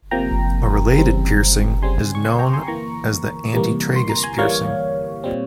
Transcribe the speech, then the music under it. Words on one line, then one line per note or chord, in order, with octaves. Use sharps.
A related piercing is known as the antitragus piercing.
C3 F3 A#3 G5 A#5
C#3 E3 G3 C4
C#3 G3 C4 G#5 C6
C#6
G#5 C6
G5 A#5
G#5 C6
E3 A#3 A#5 C#6
C3 E3 G3 A#3
C6
A#5
G#5 C6
E3 G3 A#3 C#5 F5
A#2 G3 C4